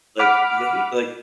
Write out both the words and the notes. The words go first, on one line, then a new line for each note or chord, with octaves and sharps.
like, you hate like
F#5 B5 D6 F6